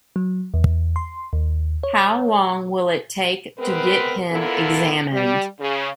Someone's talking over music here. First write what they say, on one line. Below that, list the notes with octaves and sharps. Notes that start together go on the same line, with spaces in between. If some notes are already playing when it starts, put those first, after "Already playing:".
How long will it take to get him examined?
F#3
E2
C6
D#2
C#5
G#3 B3 C4 A#4 B4
D3 B3 E4 F4 A4 A#4
G3
C#3